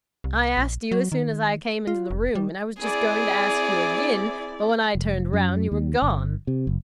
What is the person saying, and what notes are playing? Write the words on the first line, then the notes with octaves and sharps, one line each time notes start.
I asked you as soon as I came into the room, and I was just going to ask you again, but when I turned round, you were gone!
C2
A#1
F#3
D#3
F4
F1
G3
C4 E4 G#4 D5
F1
F#2
D#2
G1
C3
F#1